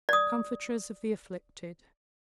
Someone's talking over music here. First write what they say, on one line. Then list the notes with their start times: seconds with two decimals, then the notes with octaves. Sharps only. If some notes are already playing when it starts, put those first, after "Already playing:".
Comfortress of the afflicted.
0.09 D5 D#6